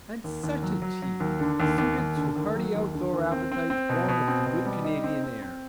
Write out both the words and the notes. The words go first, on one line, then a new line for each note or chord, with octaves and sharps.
And such a tea, suited to hearty outdoor appetites born of the good Canadian air!
D#2
D#2
F#3
F#3
F#3
D#2
D3
D#2
D#2
D#2
D3
D#2
F#3
D#2
D3
D#2
C4
C4
C4
B2
B2
C4
B2
G3
D#4
C4
C4
C4